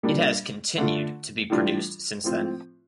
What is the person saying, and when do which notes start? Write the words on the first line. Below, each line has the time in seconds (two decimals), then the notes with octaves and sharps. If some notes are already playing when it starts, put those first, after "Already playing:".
It has continued to be produced since then.
0.03 A#2 G3 A#3 D4
0.77 D3 A3 D4 F4
1.50 A2 E3 G3 D4 F4
2.24 A2 F3 C4 F4